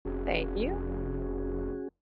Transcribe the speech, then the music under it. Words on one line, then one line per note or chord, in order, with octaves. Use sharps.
Thank you.
F1 C#4 F#4 G#4